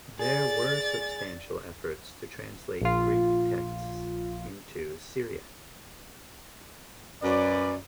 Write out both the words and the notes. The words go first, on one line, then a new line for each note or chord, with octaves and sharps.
There were substantial efforts to translate Greek texts into Syriac.
G#4 D5 A6
A#1 F4
F#2 C#4 B4 D5